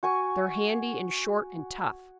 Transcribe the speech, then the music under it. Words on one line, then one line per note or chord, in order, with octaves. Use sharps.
They're handy and short and tough.
F#4 G#5 C#6